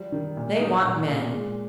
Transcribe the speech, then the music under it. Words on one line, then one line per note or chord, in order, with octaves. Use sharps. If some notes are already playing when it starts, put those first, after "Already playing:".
They want men.
Already playing: F3 G3
D#3
A#2
D#4
A#2
A#2
G#3